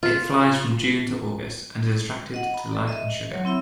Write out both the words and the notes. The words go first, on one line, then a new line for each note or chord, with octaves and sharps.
It flies from June to August and is attracted to light and sugar.
F4
D#5 F#5
A#5 B5
A4 D5
D#5 E5
F#3 C#5
C4 E4 E5 B5